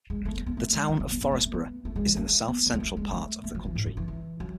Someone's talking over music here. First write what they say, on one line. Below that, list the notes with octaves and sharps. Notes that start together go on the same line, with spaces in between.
The Town of Forestburgh is in the south-central part of the county.
G#3
A3
B3
B3
A3
G#3
F#3
A3
B3
B3
A3
A3
B3
A3
G#3
E3
A3
B3
F#3
G#3
A3
G#3
A3
A3
F#3
E3
G#2
F#2
E3
E3
F#3